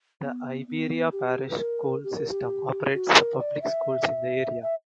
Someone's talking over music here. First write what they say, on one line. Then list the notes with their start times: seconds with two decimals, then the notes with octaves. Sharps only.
The Iberia Parish School System operates the public schools in the area.
0.23 B3
0.68 B3
1.12 G4
1.50 B4
1.58 A#4
2.04 G4
2.17 A#4
2.30 G4
2.94 F#4
3.16 A#4
3.39 D5
3.62 E5
4.63 E5